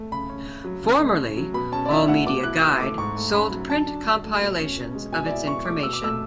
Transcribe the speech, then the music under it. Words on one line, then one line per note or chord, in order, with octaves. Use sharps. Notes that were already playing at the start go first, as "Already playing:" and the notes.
Formerly, All Media Guide sold print compilations of its information.
Already playing: A3
C#3 B5
C#4
C#3
F#3
C#3
A3
C#4
F#3
B2 B5
C#4 A5
D5
E4 E5
A3 F#5
B2 D6
E4 F#6
B2 E6
A3 D6
G#2 C#6
A3
C#4 B5
F#3
D3 A5
D4
D3
A3
B2
C#4
B2
G#3
B2 G#5
D5
E4 E5
B2 C#6
A3 D6
B2 E6
D6
A3 E6